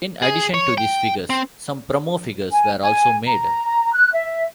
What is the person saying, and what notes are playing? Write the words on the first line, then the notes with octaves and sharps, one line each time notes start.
In addition to these figures some promo figures were also made.
G#4
C#5
G5
C4
G#5
G#5
A#5
F#6
E5